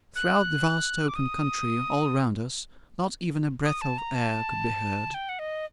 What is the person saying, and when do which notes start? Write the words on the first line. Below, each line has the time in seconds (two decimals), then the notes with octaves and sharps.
Throughout the vast open country all round us, not even a breath of air could be heard.
0.16 F#6
1.08 D6
1.15 D#6
3.65 D#6
3.81 A5
3.98 A#5
4.15 A5
5.14 G5
5.29 F#5
5.39 D#5